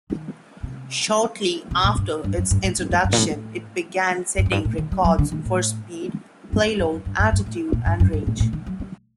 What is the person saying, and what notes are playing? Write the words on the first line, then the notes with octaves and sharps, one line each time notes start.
Shortly after its introduction, it began setting records for speed, payload, altitude and range.
D#3
C3
C3
A#2
G2
G2
F#2
G2
A2
G2
F#2
G2
A#2
A2
A2
G2
F#2
G2
A2
D#3
G3
F#3
D3
D#3
A2
G2
F#2
G2
F#2
G2
G2
G2
A2
A#2
G2
F#2
G2
A2
A2
D#3
F#3
G3